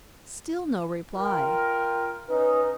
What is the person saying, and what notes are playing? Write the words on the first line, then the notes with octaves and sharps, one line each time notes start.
Still no reply.
F4 A#4 G5
C#4 D#4 B4